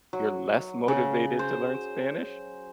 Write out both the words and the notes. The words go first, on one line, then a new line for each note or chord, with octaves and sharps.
you're less motivated to learn Spanish?
F#3
C#3
C5